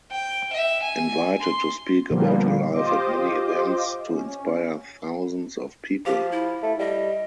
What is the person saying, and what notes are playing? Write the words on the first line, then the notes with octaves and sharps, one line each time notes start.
Invited to speak about her life at many events to inspire thousands of people.
G5
E5
G#5
C6
A#2 D3 F3 G3 A#3 B3
F4 G4 C5 D#5 D6
C#4
F3 G4
E4
A3
G3 D#5